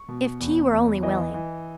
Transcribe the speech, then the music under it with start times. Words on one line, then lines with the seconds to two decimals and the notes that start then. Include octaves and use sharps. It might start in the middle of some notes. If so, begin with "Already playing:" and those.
If T. were only willing!...
Already playing: C#6
0.09 B2
0.40 E2
0.72 E2
1.03 E3 D#5
1.34 E3